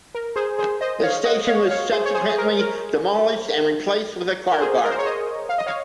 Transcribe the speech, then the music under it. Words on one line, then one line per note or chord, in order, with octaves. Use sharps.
The station was subsequently demolished, and replaced with a car park.
A#4
G#4 C5
G#4 C5
C5 D#5
C#5 F5
D#5 F#5
C#5 F5
C#5 F5
G#4 C5
C#5
G#4 C5
G#4
A#4
A#4
A#4
G#4 C5
G#4
A#4
C5
C#5
C5 D#5
F5
D#5
C#5 F5